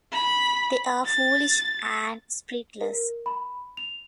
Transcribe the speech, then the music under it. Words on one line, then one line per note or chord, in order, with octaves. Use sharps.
They are foolish and spiritless.
B5
A6
A#4
B5
F7